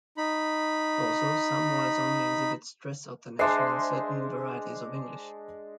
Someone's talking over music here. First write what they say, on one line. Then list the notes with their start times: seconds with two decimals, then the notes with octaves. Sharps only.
Also, some words only exhibit stress alternation in certain varieties of English.
0.17 D#4 B5
3.39 G#3 D4 C5 E5 C7